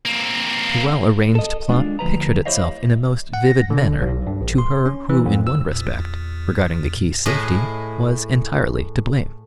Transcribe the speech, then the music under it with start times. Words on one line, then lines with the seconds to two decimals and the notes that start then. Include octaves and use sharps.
The well-arranged plot pictured itself in a most vivid manner to her who in one respect, regarding the key's safety, was entirely to blame.
0.06 A#3 C4
1.35 A4 D#5
1.69 G#3 D4 F4
1.99 D2 F3 B4 A#5
2.46 E4 G4 C5 C#5 D#5 F5
3.34 F#5
3.47 A#6
3.70 D3
4.01 B1
4.27 G2
4.41 A1
4.58 C6
4.86 C#4
5.09 E3
5.26 F2
5.47 E6
5.71 E2 A#2
7.26 A2 E4 G#4 B4 D#5